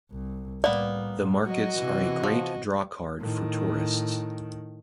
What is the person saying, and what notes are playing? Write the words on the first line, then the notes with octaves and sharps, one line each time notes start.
The markets are a great drawcard for tourists.
C2
A2 G3 A#3 B3 D5
F#3 F#4 D#5
C3 E3
F3
A2 D#3